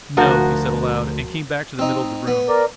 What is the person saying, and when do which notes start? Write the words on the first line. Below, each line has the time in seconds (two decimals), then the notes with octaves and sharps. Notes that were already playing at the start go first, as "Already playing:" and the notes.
"No," he said aloud, and came back to the middle of the room.
0.17 D2 F3 F#4 A#4
1.79 C4 D#4
2.27 B3
2.48 A#4 D5